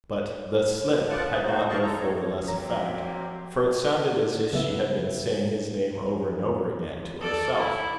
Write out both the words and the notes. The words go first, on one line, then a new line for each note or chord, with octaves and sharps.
But, the slip had not, therefore, the less effect; for it sounded as if she had been saying his name over and over again to herself.
A3 B3 F4 D5 F#5 A5
G#4 B4
E2 G#2 A#3 D#4 F#4 C5
C5 D5 D#5 F5 A5 C#6
C#3 G#3 A4 A#5
C4 C#5
F3 F#3 A#3 C4 G4 A#5
C#3 B3 E5
A4 D5
E4